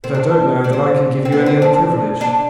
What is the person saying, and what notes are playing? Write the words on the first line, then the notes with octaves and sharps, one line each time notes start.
"But I don't know that I can give you any other privilege."
C4
D4
D4
C4
C4
B3
C4
D4
D4